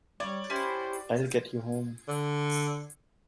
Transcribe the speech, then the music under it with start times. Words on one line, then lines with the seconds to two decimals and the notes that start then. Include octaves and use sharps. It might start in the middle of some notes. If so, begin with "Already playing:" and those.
I'll get you home.
0.20 G3 C#5 D5
0.50 C#4 E4 G4 C5 C6
2.08 D3